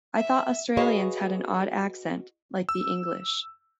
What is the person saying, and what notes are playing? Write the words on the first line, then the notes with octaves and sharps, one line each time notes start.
I thought Australians had an odd accent, like the English.
E5
F#4 G#4 B4 C#5 D#5 F5
E6